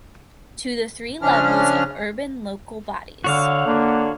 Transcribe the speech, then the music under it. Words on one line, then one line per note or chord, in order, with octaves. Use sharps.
To the three levels of urban local bodies.
C#3 F3 C#4 D4 F6
D3 F#4 C#5 F5
D3 A#3